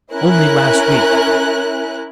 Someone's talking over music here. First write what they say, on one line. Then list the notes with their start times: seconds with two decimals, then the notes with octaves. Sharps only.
Only last week!
0.12 C#4 E4 A#4 F#6